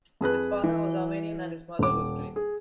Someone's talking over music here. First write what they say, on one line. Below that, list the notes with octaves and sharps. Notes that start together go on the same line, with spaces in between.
His father was Armenian and his mother was Greek.
F2 G#4 B4 F#6
E3
D#1 D6
G#4